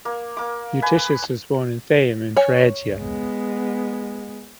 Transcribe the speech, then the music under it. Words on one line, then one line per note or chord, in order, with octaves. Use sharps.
Eutychius was born at Theium in Phrygia.
A#3
A#3 D6
B4 G#5
C#5 G#5
G#3 B3